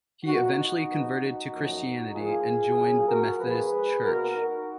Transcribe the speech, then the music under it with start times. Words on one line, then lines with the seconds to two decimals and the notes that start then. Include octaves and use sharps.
He eventually converted to Christianity and joined the Methodist Church.
0.25 A#2 F3 B3 D#4 F#4
0.56 D#4 F#4
0.87 G#2 F3 B3
1.19 D#4 F#4
1.51 F#2 F3 A#3
2.13 G#2 F3 A#3 F4 G#4
2.76 C#3 F#3 A#3
3.08 F#4 A#4
3.39 G#2 F3 G#3 B3 G#4 B4
4.02 B2 A#3 F#4 A#4
4.34 D#4 F#4